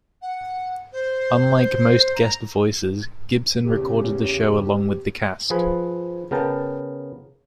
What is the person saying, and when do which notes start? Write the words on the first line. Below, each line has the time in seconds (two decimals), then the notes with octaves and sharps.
Unlike most guest voices, Gibson recorded the show along with the cast.
0.22 F#5
0.92 C5
2.15 A#5
3.65 E2 C#3 G4
5.50 F3 G#4 B4
6.31 C#3 B3 A#4 G5 A5